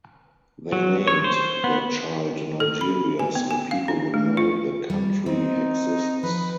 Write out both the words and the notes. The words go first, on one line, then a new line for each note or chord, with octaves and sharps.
They named their child Nigeria so people would know the country exists.
F#3
C#5
C5
B3
A4
B5
G#5
B3
G#5
F5
D4
A3
F4
G3
C4 D#4
F3 B4